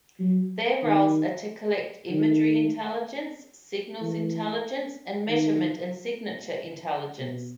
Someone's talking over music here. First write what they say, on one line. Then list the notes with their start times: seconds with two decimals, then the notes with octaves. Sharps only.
Their roles are to collect imagery intelligence, signals intelligence, and measurement and signature intelligence.
0.19 F#3
0.82 D#3
2.10 D#3
4.01 E3
5.28 D#3
7.19 B2